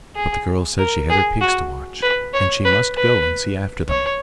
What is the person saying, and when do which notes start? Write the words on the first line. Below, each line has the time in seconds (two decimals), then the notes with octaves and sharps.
But the girl said she had her pigs to watch, and she must go and see after them.
0.15 G#4
0.78 A#4
1.10 G#4
1.41 F#4
2.02 B4
2.34 C#5
2.65 B4
2.96 B4
3.89 C#5